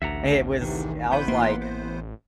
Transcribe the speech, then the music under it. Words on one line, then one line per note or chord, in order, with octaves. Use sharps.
It was I was like,
A1 D2 E5 F#5 A#5
G#2 C3 D#3 E3
E3 B3 B4 C5 G6
A#3 D#4 F4 C6
C5